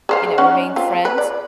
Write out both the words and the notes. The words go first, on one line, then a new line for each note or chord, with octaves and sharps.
you know, remained friends.
G#4 C5 F5
C#4 D#4 F#5
C4 F4
B4
D5